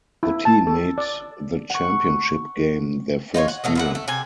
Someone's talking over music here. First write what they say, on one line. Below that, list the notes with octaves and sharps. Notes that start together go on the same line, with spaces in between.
The team made the championship game their first year.
E4
A5
A4
D5
F#5 C#6
D#4 F4 C5 C#5
F#5
B2 F#3 A3
A#2 E4 F#5
A3
C3 G#5